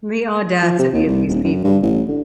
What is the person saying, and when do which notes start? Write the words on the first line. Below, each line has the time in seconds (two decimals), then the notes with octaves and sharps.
The audacity of these people.
0.63 F3
0.79 C3
0.93 D#2
1.07 C2
1.29 D#1
1.44 F#2
1.64 G2
1.83 A1
2.08 D3